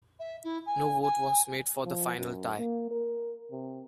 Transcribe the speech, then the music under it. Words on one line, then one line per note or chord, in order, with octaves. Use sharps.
No vote was made for the final tie.
E5
E4
G#5
G#5
F3
F#2
A#3
A#4
C3